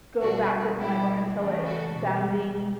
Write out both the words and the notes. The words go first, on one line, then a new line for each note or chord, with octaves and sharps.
go backwards in my book until it's s sounding
B2 G3 D4 F#4
B2 G3 E4 G4
C#3 E3 A3
F#4 A4
B2 G3